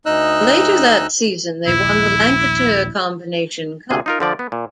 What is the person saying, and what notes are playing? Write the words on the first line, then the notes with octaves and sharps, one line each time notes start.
Later that season they won the Lancashire Combination Cup.
D2 D#4 D#5 E6 F#6
D#1 A#1 E4
D2 C3 G#4
D#4 F4 A#4
D3 F3 D5
B3
A#2